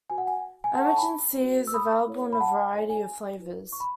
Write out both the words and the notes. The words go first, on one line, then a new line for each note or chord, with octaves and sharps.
Emergen-C is available in a variety of flavors.
F#4 B4 G#5
F#5
G#5
G#5
D#4 A4 C#5 F#5 A5
A5 C#6
G#5 B5
F#4 B4
E6
B5 D#6
E4 A4 C#5
B5
F#5 A5
D#4 A4 C#5 G#5
G#5
E4 B4
C#6
B5